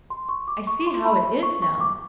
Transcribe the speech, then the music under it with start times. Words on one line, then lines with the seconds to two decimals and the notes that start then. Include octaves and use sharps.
I see how it is now.
0.10 C6
0.29 C#6
0.48 D6
0.67 C#6
0.87 C6
1.05 B5
1.43 C#6
1.62 C#6
1.81 D6